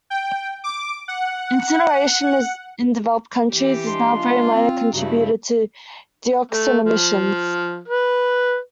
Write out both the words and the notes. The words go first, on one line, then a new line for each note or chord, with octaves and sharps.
Incineration in developed countries is now a very minor contributor to dioxin emissions.
G5
D6
F#5
E3 G4
G#3 D4 C6
F4
C4
G2 C#3 D#4 E4 F#4
A3
F3
B4